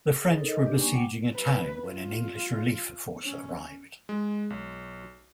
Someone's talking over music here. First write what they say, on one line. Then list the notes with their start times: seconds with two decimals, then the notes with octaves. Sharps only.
The French were besieging a town when an English relief force arrived.
0.17 G#4
0.37 D#4 A4 A#4 C#5
0.48 D#5
0.63 D4 D#4 G4 B4 D5
0.77 G3 A#3 G#5 C#6
0.92 A#3 F#5 G5 D6
1.34 B4
1.88 F4
3.24 C#4
4.09 G#3
4.50 B1